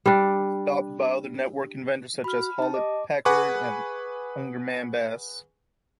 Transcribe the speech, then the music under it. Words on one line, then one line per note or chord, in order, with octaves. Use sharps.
It was adopted by other networking vendors such as Hewlett-Packard and Ungermann-Bass.
G3 D4
F#4 B5 F6
D#4 G4 A5
D#5 D6
G#4 B4 F#5 G#5 C#6 D6